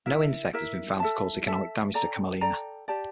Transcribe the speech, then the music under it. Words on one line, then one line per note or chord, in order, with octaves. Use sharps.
No insect has be found to cause economic damage to camelina.
E4 A#4 E5
E4 A#4 E5
A4 E5 A5
A4 E5 A5
A4 D5 G5 A#5
A4 D5 G5 A#5
G4 D5 A5